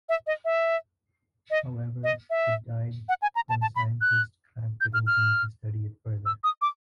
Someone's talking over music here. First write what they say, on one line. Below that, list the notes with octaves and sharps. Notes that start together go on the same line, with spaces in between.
However, it died when scientists cracked it open to study it further.
E5
D#5
E5
D#5
D#5
E5
F#5
G#5
A#5
A5
A5
B5
F#6
G6
F6
F6
E6
D#6
D6